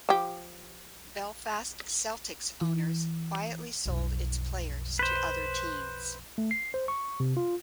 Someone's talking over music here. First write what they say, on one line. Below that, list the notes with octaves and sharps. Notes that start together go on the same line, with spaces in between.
Belfast Celtic's owners quietly sold its players to other teams.
F3 G4
E3
B1 F2
B4 C5
A3
C7
C5
C#6
C3
F4